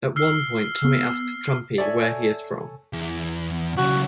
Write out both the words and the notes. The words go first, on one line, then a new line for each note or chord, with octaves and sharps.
At one point, Tommy asks Trumpy where he is from.
E6 F6 C7
B3
A4 C#5 D5 E5 G#5
E2
B1 C#3 F#4